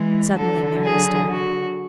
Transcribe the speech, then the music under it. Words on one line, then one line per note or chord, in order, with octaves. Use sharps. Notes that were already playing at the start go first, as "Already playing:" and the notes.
Suddenly Mary started.
Already playing: E3 G#3
D3 F#3 A4
G#4
F#4